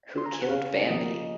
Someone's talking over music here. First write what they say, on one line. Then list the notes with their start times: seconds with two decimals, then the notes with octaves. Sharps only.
Who killed Bambi?
0.18 C6
0.26 A#5
0.34 G#5
0.42 F#5
0.50 C#3 F5
0.90 F3 A#3 D#5